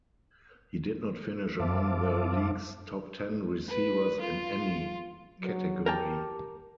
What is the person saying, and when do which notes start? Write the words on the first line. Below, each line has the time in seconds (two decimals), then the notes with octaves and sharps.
He did not finish among the league's top ten receivers in any category.
1.60 F#2 C5 E5 F5 A5 D6
3.67 B4
4.20 F4
5.39 F#3
5.86 G4 A#4 G5 A5